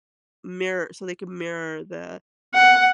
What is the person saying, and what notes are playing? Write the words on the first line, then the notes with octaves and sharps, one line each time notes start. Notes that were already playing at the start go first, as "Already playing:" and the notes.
mirror so, they can mirror the
F#5